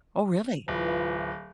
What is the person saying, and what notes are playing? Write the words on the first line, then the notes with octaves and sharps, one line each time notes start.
Oh, really?
D1 E3 F4 B4